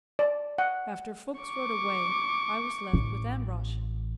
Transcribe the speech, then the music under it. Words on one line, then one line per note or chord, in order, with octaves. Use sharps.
After Fuchs rode away, I was left with Ambrosch.
D5
F#5
C#6 D6
A1